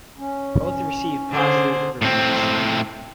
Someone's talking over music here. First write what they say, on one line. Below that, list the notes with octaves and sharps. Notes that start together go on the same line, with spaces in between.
Both received positive reviews.
C#4
D3 G#4 C5
A2 C4